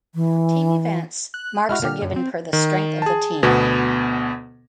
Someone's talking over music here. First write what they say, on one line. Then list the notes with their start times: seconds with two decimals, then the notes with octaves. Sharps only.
For team events, marks are given per the strength of the team.
0.15 E3
1.34 F#6
1.69 G#3 E4 F#4 F6
1.82 A#2 D3 G4
2.02 F#2
2.16 C4
2.53 D#3
3.02 G#4 A5
3.43 D2 B2 B3